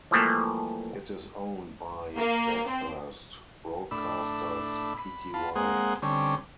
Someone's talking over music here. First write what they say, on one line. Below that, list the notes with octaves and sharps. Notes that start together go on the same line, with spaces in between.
It is owned by Bathurst Broadcasters Pty.
E3 F3 G3 A3 A#3
A#3
C4
A2 D4 B5 E6
B5
F4 A5 B5
G#3 A#3 C4 G#4 C5 F#5
D3 G3 C4 C#4